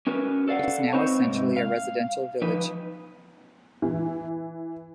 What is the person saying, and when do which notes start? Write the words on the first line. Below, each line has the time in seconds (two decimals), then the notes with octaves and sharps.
It is now essentially a residential village.
0.07 C#4 F#4 A#4 B4
0.48 A4 D5 F5 F#5
0.93 C4 D#4 B4 C#5
1.24 G#2 C3
1.57 F5
2.42 F3 D#4 B4
3.82 E3